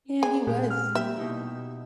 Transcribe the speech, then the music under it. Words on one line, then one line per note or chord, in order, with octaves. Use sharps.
Yeah, he was, and
D4 G#4 G#5
A#2 G#3 G4
F6
A#3 G4 E5
B2 D#4 E4